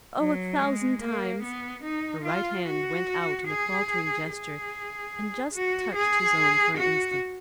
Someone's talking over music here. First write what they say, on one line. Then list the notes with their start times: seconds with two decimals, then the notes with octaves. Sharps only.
"Oh, a thousand times!" Her right hand went out in a faltering gesture, and just touched his own for an instant.
0.19 F#3
0.59 G#3
1.01 A#3
1.42 B3
1.83 D#4
2.24 F4
2.65 F#4
3.47 G#4
4.31 G#4
5.53 F#4
5.95 G#4
6.77 F#4